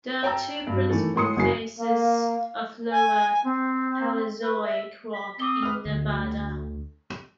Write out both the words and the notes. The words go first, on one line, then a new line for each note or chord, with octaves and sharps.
There are two principal facies of lower Paleozoic rocks in Nevada.
C#5 G5 A5 A#5 E6
G2 F#3
D#3 E3 A3 A4
A2 G#3 C6 D#6 C#7
F#1 G#3 F#4 A#4 G#5 C7
A#3 F5
G#5
C4
B4
E5
B6
C4 D6 D#6 G7
B4 F6
D2